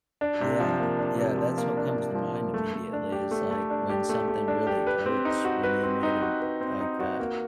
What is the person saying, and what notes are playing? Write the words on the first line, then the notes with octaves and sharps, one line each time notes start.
Yeah. Yeah, that's what comes to mind immediately is, like, when something really hurts, when you made a m like, a
D4
C3
F3
A#3
D4
C3
F3
A#3
D4
C3
F3
A#3
A3
A3
D4
G4
A3
A3
D4
G4
A3
A3
D4
G4
B4
C4
D#4
F#4
B4
C4
D#4
F#4
B4
C4
D#4
F#4
A#3